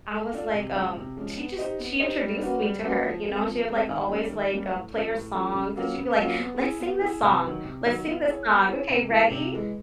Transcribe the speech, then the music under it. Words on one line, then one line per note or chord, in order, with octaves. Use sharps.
I was like, um she just she introduced me to her, you know? And she had, like, always, like, um, play her songs, and she'd be like, "Let's sing this song. Let's sing this song. Okay, ready?"
A3
D4 F4 A4
C3
F3 G#3 C#4
C3
F3 G#3 C#4
B3
D#4 G4 C5 D#5
B3
D#4 G4 C5 D#5
G3
A#3 C#4 F#4 B4
G3
A#3 C#4 F#4 B4
F3
G#3 C4
F3
G#3 C4
D#3
G3 A#3 C#4
D#3
G3 A#3 C#4
A2
F3 A3 C#4
A2
F3 A3 C#4
C#3
F#3 A#3 C#4 F4
C#3
F#3 A#3 C#4 F4
B3
E4 G#4
B3
E4 G#4
C3
D#3 F#3
C3
D#3 F#3
B3
E4 G#4 C#5
B3
E4 G#4 C#5
C3
E3 G#3
C3
E3 G#3